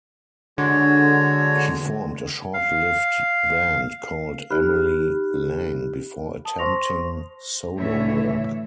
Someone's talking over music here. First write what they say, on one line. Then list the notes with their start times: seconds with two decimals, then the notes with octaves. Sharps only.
He formed a short-lived band called Emily Lang before attempting solo work.
0.58 D3 G#3 F#4 C#5
2.54 F5
4.50 D#4 G4 B5 F6 F#6
6.45 A5 D#6
6.58 C5 C6 C#6 A#6 F7
7.76 A2 D3 E3 C#5 E5